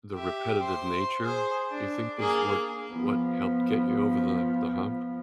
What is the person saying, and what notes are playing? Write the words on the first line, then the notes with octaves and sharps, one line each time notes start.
The repetitive nature, you think, is what what helped get you over the the hump?
G4 E5
C5 C6
G#4 C5
D4
A#3 G#4
F3 B3